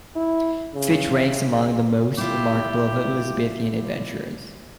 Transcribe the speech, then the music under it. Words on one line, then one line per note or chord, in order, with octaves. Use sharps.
Fitch ranks among the most remarkable of Elizabethan adventurers.
E4
C#3
E4 F4 G4